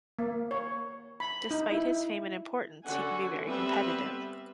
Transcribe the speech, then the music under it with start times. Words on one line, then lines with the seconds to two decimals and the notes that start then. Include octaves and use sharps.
Despite his fame and importance, he can be very competitive.
0.19 A#3
0.51 C#5
1.20 B5
1.51 D#4
1.72 E4
2.85 D3 C#4 F#4 A4 F#5 G#5
3.47 G3 B3 C4 B4 E5